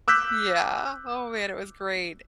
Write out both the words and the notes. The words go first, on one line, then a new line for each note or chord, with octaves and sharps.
Yeah. Oh, man, it was great.
D6 E6 F#6 G6 B6